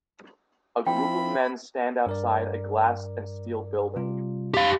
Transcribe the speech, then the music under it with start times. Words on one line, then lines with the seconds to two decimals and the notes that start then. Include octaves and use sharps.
A group of men stand outside a glass and steel building.
0.87 F3 C4 E4 G5 B5
2.06 G2 A#4 D5
3.96 C3 G3 F4
4.54 G4 F5